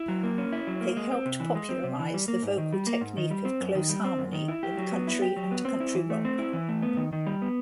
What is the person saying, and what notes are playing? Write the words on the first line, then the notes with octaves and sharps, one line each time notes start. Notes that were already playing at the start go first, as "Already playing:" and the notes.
They helped popularize the vocal technique of close harmony in country and country-rock.
Already playing: E4
F#3
A#3
C#4
E4
F#3
A#3
G#3
C4
C3
E3
G#3
C4
C3
E3
G3
A#3
G#2
D#3
G3
A#3
G#2
D#3
G3
C4
F#2
D#3
G3
C4
F#2
D#3
E4
G4
F#3
B3
E4
G4
F#3
B3
C4
E4
E3
A3
C4
E4
E3
A3
B3
D#3
D#3
G3
B3